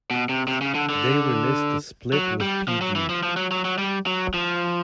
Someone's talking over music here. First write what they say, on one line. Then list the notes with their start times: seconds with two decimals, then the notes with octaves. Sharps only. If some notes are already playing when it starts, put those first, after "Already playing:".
They released a split with Pg.
0.10 B2
0.29 C3
0.48 C3
0.61 C#3
0.75 D3
0.89 D3
2.13 F#3
2.41 G3
2.68 F3
2.81 F#3
2.96 E3
3.09 F3
3.23 F3
3.37 F#3
3.51 F#3
3.65 F#3
3.78 G3
4.06 F#3
4.34 F3